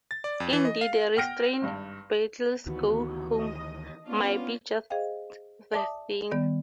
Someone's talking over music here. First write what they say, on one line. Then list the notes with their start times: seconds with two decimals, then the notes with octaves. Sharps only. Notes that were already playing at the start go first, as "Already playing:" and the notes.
Indeed a restrained 'Beatles go home' might be just the thing.
0.11 A6
0.24 D5
0.40 F2
0.53 E3
0.65 D#5
0.81 F5
1.16 F#5 G5 F6 A#6 D7
1.62 G#1 G2
2.66 D2 D#3 E3 B3 F#4
3.33 D#5
4.07 B3 C#4 D4 F4
4.90 G#4 C5 D#5 F5 G5
5.72 D5 E5 A5 D6 D#6
6.31 D#3 G3 B3 D5